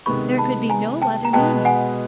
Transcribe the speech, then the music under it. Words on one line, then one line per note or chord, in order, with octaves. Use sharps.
There could be no other meaning.
C3 D#3 G#3 B3 B5 C#6
A5 B5
G#5 A#5
G5 A5
A#5
B2 G#3 B3 G5 A5
F#5 G#5